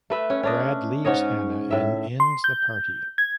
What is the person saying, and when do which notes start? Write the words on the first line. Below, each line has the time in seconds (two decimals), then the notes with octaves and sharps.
Brad leaves Hannah and ends the party.
0.10 A3 B4 E5
0.30 C#4
0.43 C#4 D4 D#5
1.05 G#2 C#4 C#5 D#5
1.71 A2 E5
2.20 C6
2.44 G6
3.18 G#6